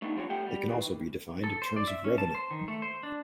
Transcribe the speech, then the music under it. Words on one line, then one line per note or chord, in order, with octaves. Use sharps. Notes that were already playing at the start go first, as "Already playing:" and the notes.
It can also be defined in terms of revenue.
A3 A#3 D4 D#4
F3 G3 C4 D4 C#5
A3 G4 E5 F#5 G5
G3
D#3 E3
A4
C5
D5
E5
C#4
A5
C5
D#3
A3
C5
D4